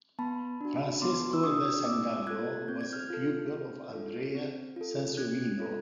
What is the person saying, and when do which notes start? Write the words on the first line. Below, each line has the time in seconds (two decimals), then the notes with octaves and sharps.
Francesco da Sangallo was a pupil of Andrea Sansovino.
0.19 B3 A5 B5
0.61 D4 F#4
1.02 B3 C6 D6
1.33 E6
1.43 D4 F#4 C#6 D#6
1.85 C4 D6 E6
2.27 F4 A4 F#6 G#6
2.68 C4 G6
2.81 G#6
2.92 F6 G6
3.10 F4 A4
3.51 C4
3.93 F4 A4
4.35 C4
4.76 F4 A4
5.17 C#4 F#6 G#6
5.60 F4 A4